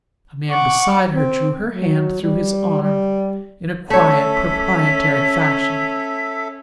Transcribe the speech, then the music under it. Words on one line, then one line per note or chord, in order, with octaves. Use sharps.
A man beside her drew her hand through his arm in a quiet proprietary fashion.
F#5 C#6 D6
C4
F#3
G3
G3
A3 C#4 A4 C#5 E5 B6